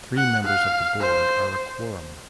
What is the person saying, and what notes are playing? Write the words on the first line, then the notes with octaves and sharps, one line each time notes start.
Three members of the board are a quorum.
F#5
F5
C5